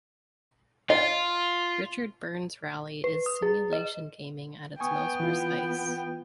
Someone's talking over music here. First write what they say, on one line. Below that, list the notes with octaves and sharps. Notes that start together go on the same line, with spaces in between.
Richard Burns Rally is simulation gaming at its most precise.
F4 D#5
B4
D#6
G#4
D#5
B3 G5 G#5 C#6 D#6
E3 F4